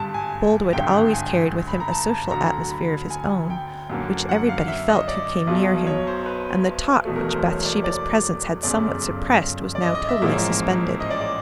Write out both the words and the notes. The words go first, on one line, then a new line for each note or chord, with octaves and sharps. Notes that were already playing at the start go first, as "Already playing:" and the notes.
Boldwood always carried with him a social atmosphere of his own, which everybody felt who came near him; and the talk, which Bathsheba's presence had somewhat suppressed, was now totally suspended.
Already playing: G#1 G2 D3 G3 A5
G#5
G#1 G2 D3 G5
G#5
B5
A#5
A5
D2 D3 F#3 A#5
B5
G#5
G5
F#2 D3 F#3 A#3
F#5
F5
E5
D#5
D5
B1 B2 F#3
C#5
C5
B4
E1 E2 B2 F#3 A3
A#4
C5
C#5
D5
D5
G1 F#2 C#3 D5
D5
D#5
D#5
E5
A1 G#2 F3 A#3 C#4 E5
D#5
D5
D5